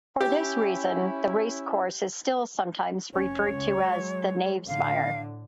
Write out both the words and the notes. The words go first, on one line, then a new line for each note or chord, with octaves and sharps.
For this reason, the racecourse is still sometimes referred to as "The Knavesmire".
C#4 E4 G4
F1 C#4 C#5
C#2 C#4
F#3 G#3
A2 D3 F5